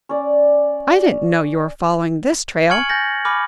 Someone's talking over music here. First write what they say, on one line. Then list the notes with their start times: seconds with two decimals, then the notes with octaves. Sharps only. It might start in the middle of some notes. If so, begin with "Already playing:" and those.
I didn't know you were following this trail.
0.09 C#4 D5
2.69 G#5 C#6 F6 G#6 C#7 F#7
2.89 G#5 G6 A6 A#6
3.25 G#5 B5 D6 F6